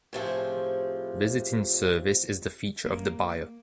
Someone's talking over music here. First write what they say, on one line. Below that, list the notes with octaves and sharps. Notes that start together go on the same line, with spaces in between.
Visiting service is the feature of the buyer.
A2 C3 F3 G#4
A#3